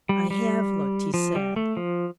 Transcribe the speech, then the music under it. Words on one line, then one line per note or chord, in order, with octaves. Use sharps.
"I have looked," he said.
G3
G3
F3
G3
A3
F3